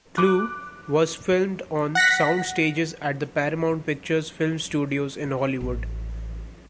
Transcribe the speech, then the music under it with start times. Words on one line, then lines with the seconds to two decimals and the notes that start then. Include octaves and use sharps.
"Clue" was filmed on sound stages at the Paramount Pictures film studios in Hollywood.
0.17 D6 F#6
1.95 F#5 A#6 B6
5.61 A1